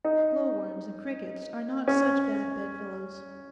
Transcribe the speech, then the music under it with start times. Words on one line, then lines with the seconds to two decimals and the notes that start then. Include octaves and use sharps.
Glow-worms and crickets are not such bad bedfellows.'
0.05 D#4
1.88 C#4